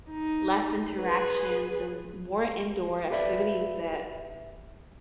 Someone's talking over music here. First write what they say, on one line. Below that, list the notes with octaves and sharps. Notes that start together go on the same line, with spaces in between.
less interactions and more indoor activities that
D#4
G#4 B4
G4 A4 B4 D5 E5 F5